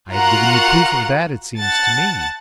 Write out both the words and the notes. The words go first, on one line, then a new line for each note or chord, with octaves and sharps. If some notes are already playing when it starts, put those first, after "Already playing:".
"I have given you proof of that, it seems to me."
F4 F#4 A#4 F#5 A#5 F#6
F#5 A5 A6